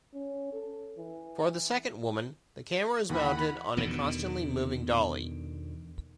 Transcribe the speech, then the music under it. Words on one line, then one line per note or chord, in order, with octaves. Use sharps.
For the second woman, the camera is mounted on a constantly moving dolly.
C#4
A4
E3
D#2 E3 F#5 B5
E2 B2 D3 D#3